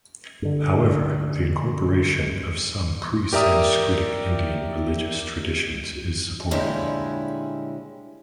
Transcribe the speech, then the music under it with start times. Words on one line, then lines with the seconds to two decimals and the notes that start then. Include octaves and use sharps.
However, the incorporation of some pre-Sanskritic Indian religious traditions is supported.
0.42 G2 D3
3.33 G4 A#4 D5 E5 A#5 D#6
6.51 A#2 D3 G3 G#3 C#4 E4